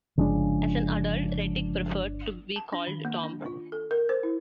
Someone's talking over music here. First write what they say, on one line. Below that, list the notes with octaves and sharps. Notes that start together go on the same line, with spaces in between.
As an adult, Rettig preferred to be called Tom.
G1 C#3 F3 G#3 D4
A5
D4
D#3
A#3
D4
F4
A4
A#4
C5
E4